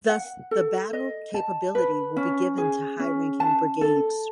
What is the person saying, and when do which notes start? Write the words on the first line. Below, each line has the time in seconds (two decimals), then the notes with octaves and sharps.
Thus the battle capability will be given to high-ranking brigades.
0.09 F#5
0.51 A4
0.93 D#5
1.34 A5
1.75 B4
2.17 C#4
2.58 G#4
3.00 C#4
3.40 A5
3.81 A4